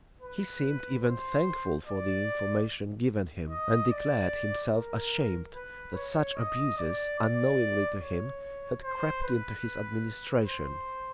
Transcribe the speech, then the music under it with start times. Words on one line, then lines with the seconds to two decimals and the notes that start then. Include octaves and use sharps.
He seemed even thankful for the information given him; and declared himself ashamed that such abuses, unknowingly to him, had crept into his administration.
0.21 B4
1.02 C5
1.85 D5
3.49 D#5
3.90 D5
4.72 A#4
5.54 B4
5.95 C#5
6.37 D#5
6.78 D5
7.19 D5
8.00 C#5
8.83 C5
9.23 B4
10.46 C5